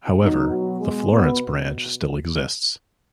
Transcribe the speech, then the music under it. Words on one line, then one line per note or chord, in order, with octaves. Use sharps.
However, the Florence Branch still exists.
B2 F#3 B3 D#4
F#3 F#4
G#3 G#4
B3 B4